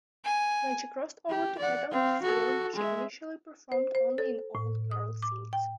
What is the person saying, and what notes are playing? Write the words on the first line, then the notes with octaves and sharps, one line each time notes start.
When she crossed over to adult film, she initially performed only in "all-girl" scenes.
G#5
G4
D5 F#5
C4 F5
F#4 A4
G#3 E5
C5
C5
A4
A2
D#6
D6
G5